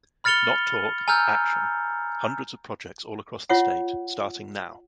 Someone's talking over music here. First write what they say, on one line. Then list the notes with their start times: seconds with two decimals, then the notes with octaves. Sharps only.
Not talk, action. Hundreds of projects all across the state, starting now.
0.24 B5 F6 A6 C#7 F7 G7
1.08 G#5 A#5 E6 F6 G6
3.49 F4 C#5 E5 F#5